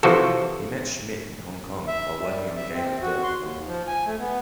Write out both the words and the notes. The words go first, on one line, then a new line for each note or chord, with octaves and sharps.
He met Schmidt in Hong Kong while working on "Game of Death".
C3 E3 F3 F#4 A4
E5
G3
E5
C4
F#4
C6
D#2
F3
G#5
A3
B3